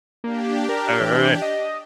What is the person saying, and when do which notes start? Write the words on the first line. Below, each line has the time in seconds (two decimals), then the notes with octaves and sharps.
All right.
0.24 A#3 D4 G4
0.69 A#4
1.00 E3
1.42 D#5